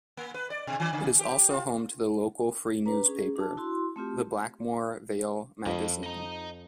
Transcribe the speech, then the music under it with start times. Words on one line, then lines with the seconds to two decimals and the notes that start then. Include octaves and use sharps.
It is also home to the local free newspaper, the Blackmore Vale Magazine.
0.17 A#3
0.34 B4
0.50 D5
0.67 B2
0.80 D#3
0.93 C#3
1.19 G4
1.50 F4
2.86 D4 B4 A#5
3.05 C#4 G#4
3.36 D4 F#4 A5
3.57 E4 F#4 C6
3.96 A3 C4 F4 G4
5.66 F2 F4 D#5
6.04 D#5 A#5